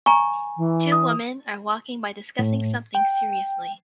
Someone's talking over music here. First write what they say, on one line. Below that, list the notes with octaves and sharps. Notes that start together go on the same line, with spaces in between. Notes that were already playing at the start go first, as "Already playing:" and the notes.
Two woman are walking by discussing something seriously.
G#5 A#5 C#6
E3
D#6
A2
G5